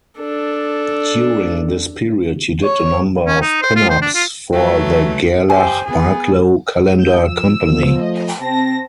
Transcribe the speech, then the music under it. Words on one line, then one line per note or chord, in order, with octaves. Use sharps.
During this period, he did a number of pin-ups for the Gerlach-Barklow calendar company.
D4 A4
C#5
C#4
D#4
C5
F4
C5
D4
F4
E3 F#3 A3
G4 C5 G#5
B3 G#4
G6
F3 E6
F3 B3
A3 D#5
C3 C4 A5 A#6